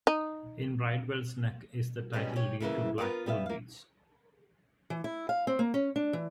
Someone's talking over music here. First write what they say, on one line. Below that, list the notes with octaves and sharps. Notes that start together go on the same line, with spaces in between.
In Bridewell's neck is the title deed to Blackpool Beach.
D#4
G#2 B2 G3 G#3 C#4
G4 C#5
A2 C#3 E3 A#3
B3 F4 G4 A#4 B4 F5
G3 B3 E5 F5
A#3 F5
E3
E4
F5
C4
A#3
C#4
D4
E3